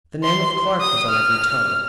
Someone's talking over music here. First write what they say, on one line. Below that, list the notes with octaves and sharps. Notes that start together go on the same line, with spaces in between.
The name of Clark was on every tongue.
C6
D#6
F6